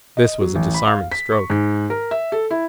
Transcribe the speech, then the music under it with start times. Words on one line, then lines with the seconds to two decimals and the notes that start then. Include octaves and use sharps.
This was a disarming stroke.
0.17 D#5
0.41 F#3
0.55 A1
0.74 B5
0.87 F5
1.12 B6
1.32 C#6
1.50 G#2
1.90 A#4
2.11 E5
2.32 A4
2.51 E4